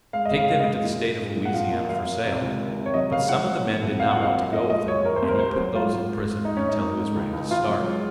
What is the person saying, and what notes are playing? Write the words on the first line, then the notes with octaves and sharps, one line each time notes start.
He was to take them into the state of Louisiana for sale, but some of the men did not want to go with him, and he put those in prison until he was ready to start.
G#3 F5
D#5
C#3
F5
G#3 F5
D#5
F#2
A#2
A#2
G#3
A#2
F#5
F3 F5
A#3
F#2 F5
A#3
C3
C#2
D#3
C3
C#5
F#3 D#5
C#3 F5
C#2 F#5
F#3
A#2
C2
C2 F5
F#5
A#2
F5
F#2
F3 D#5
G#3 D#5
F#2 C#5
D#3 A#4
C5
D#2
A#4
A#3 C5
A#4
F#3
G#2 F4
G#2
G#2
G#2
G#2 D#4
C#4
G#2
D#4
A#3
G#2
C#2
C#2
C#2 F4
F#3
G#3